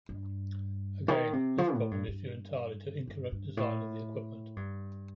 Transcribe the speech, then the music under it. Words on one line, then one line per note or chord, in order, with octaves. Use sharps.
Again, this problem is due entirely to incorrect design of the equipment.
G2
D#3
C3
F3
A2
G2
G2
G2
G2
A2
G2